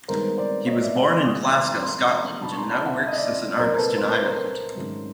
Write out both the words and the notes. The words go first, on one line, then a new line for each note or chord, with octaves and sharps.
He was born in Glasgow, Scotland, and now works as an artist in Ireland.
G2 D#3 G#3 B3 D#4 A#4 C5
C5 D5
C#5 D#5
D5 E5
F#5 G#5
C6 D6
A2 E3 G#3 C#6 D#6
C6 D6
A#5 C6
A#5 C6
A#5 C6
B2 F#3 B3 D4 A5 B5
C#6
A#5 C6
A5 B5
E5 F#5
E5
D#5
D5 E5
C2 A#2 F#3 A#3 A#4 C5
A#4
A4 B4
C5
B4
A#4 C5
G#2 D#3 F#3 A3 C#4